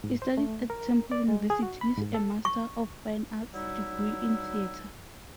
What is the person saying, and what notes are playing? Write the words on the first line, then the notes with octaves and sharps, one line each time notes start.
He studied at Temple University with a Master of Fine Arts degree in theatre.
G#2
C5
A3
A#4
D5
G#3
G#4
F#4
B5
G#2
A4
C#6
F#3 G3 D#4 E4